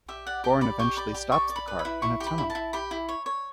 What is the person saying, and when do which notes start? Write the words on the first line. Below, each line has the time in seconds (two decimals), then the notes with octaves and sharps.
Goran eventually stops the car in a tunnel.
0.08 G4 E5
0.27 D5 F#5
0.44 G4 G5
0.61 D5 B5
0.79 G4 C#6
0.97 D5 B5
1.14 G4
1.32 D5 C#6
1.49 D5
1.56 B5
1.68 B4
1.79 B5
1.85 E4
2.02 E4 C#6
2.20 G4
2.27 B5
2.38 E4
2.50 A5
2.55 E4
2.73 G4 B5
2.91 E4
3.09 C#5
3.26 C#5